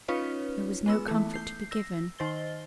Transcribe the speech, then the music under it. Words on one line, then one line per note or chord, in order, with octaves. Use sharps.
There was no comfort to be given.
C#4 D#4 F4 B4 C#5
G#3 B3 E6
E3 A3
G6 C7
E6 A#6
D#3 C5 A6 G7